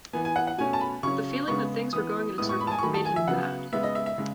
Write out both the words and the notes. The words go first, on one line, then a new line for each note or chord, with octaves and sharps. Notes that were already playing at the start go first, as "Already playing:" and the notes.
The feeling that things were going in a circle made him mad.
E3 B3 G#5
G#5
F#5
F#5
B2 A3 C#4 G#5
A5
B5
C#3 F#3 C#4 C#6
C#3 G#3 B3 C#6
E3 B3 D#6
A2 G#3 B3 D#6
C#6
B5
A5
G#5
C#6
D#3 F#3 A3 B5
A5
G#5
E5
C#3 F#3 B3 F#5
C#3 G#3 B3 E5
D#5
E5
E5
C#3 G#3